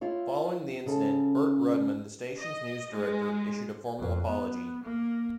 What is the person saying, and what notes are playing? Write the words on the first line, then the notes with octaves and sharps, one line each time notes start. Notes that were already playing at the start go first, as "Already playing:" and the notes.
Following the incident, Bert Rudman, the station's news director, issued a formal apology.
E4 F4 C#5
C#3 C#4 A4
D#5
G#3
F2
B3
A#3